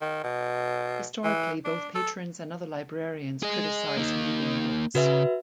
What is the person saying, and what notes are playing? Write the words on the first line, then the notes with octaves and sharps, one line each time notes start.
Historically, both patrons and other librarians criticize weeding books.
D#3
B2
E3
D4
A4
G#4 D#5
A#3 D#4
C#3 F#4 B4 E5